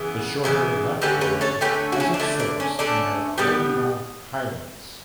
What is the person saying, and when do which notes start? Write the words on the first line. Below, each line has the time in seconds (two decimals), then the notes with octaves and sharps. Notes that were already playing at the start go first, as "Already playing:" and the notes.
The shorter Left Yana has its source in the Kolyma Highlands.
Already playing: C#3 E3 B3
0.44 C#3 E3 B3
1.02 D3 A3 C#4 G4 B4
1.21 G4 B4
1.41 A4 C#5
1.61 D3 A3 C#4 G4 B4
1.92 F#4
2.00 C#4 E4
2.14 D4
2.20 D3 A3 C#4 E4
2.40 D4
2.60 C#4
2.79 D3 A3 C#4 D4
3.38 A2 G3 B3 G4 B4